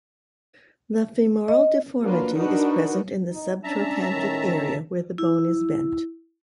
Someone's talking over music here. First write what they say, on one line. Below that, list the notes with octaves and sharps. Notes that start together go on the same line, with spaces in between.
The femoral deformity is present in the subtrochantric area where the bone is bent.
D#5
F#3 A#3 D4 F4 B4
D4 D#4 F#4 A#4 B4
D#4
C#4 D4 E5 A5 A#5
A2 D#3 C#4
E4